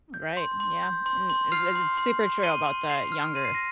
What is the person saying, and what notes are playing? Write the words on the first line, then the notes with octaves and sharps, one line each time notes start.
Right, yeah, and as it's super true about the younger
G6
C6
C6
G6
C6
C6
F6 C7 F7
C6
C6
C6
C6 D#7 G7
C6
C6 C7 F7
F6
C6 D#7
C7
A#6